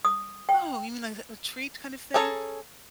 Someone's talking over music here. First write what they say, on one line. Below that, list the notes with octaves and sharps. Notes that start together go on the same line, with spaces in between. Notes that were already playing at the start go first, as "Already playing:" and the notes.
Oh, you mean like a a treat kind of thing?
D#6
G5
C#4 G#4 A4 A#5